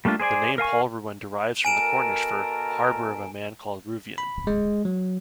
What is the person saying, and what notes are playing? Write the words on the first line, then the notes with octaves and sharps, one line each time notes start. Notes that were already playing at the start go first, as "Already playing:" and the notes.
The name Polruan derives from the Cornish for "harbour of a man called Ruveun".
G3 A3 A#3 D4 F4
G#4 C5 D5 G#5
A#4 F5 G#5 C#6
B2 A4 A#4 G#5 D7 E7
B5
G#3
F#3